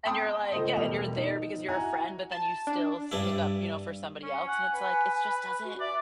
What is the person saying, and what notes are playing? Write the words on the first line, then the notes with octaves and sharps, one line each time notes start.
And you're like, yeah, and you're there because you're a friend, but then you still s pick up, you know, for somebody else, and it's like, it just doesn't
G5 A5 B5 C6 D#6
C#2 A3 C5 D#5
E1 B2 G3 A3 F7
D#4
E4 F#4 G#5 A#5
A5
D4
G2 D4 E4
C#4
F#5 G#5
B4
F#4
D5 E5